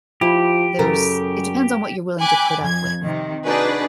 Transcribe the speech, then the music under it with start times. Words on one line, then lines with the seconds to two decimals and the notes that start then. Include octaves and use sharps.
there's it depends on what you're willing to put up with,
0.21 F3 E4 G4
0.79 F#2 C#3 A4 A#4
2.21 G5 G#5 B5 D6 F#6
2.61 F2 G#6
3.03 C3 D#3
3.46 D4 D#4 F#4 G#4 B4 D5